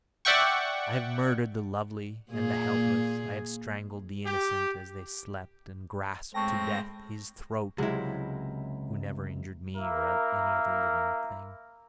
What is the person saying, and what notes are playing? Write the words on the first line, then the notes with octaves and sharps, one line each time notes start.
I have murdered the lovely and the helpless; I have strangled the innocent as they slept and grasped to death his throat who never injured me or any other living thing.
D5 E5 F#5 G5 C#6
A#2 A#3 G#4
G4
A2 G#3 C4 G5 A5 C#6 A#6
C#2 C3 F#3 G#3 E4
A#3 E4 A#4